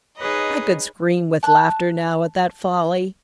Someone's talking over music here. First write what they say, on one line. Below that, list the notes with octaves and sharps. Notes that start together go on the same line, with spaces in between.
I could scream with laughter now at that folly!
D#4 G#4 B4 C#5 D#5
A5 F#6